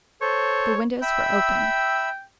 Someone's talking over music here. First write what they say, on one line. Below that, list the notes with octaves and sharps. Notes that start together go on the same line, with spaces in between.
The windows were open.
A4 C5 C#5
E5 G5 B5 E6